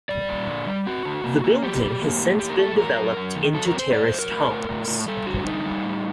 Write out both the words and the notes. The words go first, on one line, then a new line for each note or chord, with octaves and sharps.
The building has since been developed into terraced homes.
G3 D5
A#2
D3
G3
C4 F#4
D3
A#3
A#3
F#3 G4
F#3
A#3
A2
A#3 G4
A#4
A2 A4
F#3 A#4
F#2
F#2
D#3
F#3 A4
A#4
C4
C5
A3 D5
C5
F#3
A#4
A2
A2
A2
A2
G3 A4
D3 F#4
G3 D#4
G3
A2